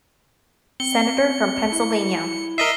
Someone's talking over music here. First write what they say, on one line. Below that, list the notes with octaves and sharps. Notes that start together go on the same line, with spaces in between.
Senator from Pennsylvania.
C4 C#7 G7
E4
A#4 D#5 E5 C7 D#7 G7